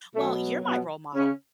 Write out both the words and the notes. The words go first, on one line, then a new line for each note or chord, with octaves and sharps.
"Well, you're my role model"
B2 F#3 A3
B2 B3
C#3 C#4